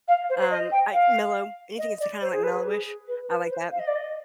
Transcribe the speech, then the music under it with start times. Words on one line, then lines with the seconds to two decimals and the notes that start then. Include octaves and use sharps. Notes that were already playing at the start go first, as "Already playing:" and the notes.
Um, I mellow. Anything that's kinda, like, mellowish, I like that.
0.08 F5
0.30 C5
0.40 C5
0.51 D#5
0.72 G5
0.93 F5
1.79 D#5
2.00 D5
2.22 C5
2.33 G#4
2.43 B4
2.65 G#4
3.08 B4
3.29 B4
3.50 C5
3.72 F5
3.79 D#5
3.87 D5
3.96 D#5